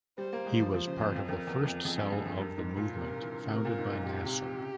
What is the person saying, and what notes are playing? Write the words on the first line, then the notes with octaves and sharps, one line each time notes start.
He was part of the first cell of the movement founded by Nasser.
G3 C5
A#3
G#3
F3
F3 C5
C#3
F2
F2
F2 A#4
E2
F2
F2 G#4
G2
G2
F2
G2 A#4
G#2
A#2
C3 A#4
E3
C#3
C3 A#4
A#2
G#2
G#2
A#2 G4
C3
C#3